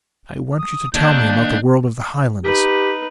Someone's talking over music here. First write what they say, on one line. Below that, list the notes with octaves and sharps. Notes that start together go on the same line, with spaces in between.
I want you to tell me about the world of the Highlands.
D#6
D#2 D4 A5 F#6 G6
D#4 G4 B4